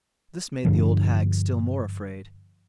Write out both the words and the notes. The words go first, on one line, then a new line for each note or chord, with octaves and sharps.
This made the old hag still more afraid.
G2 D3 F3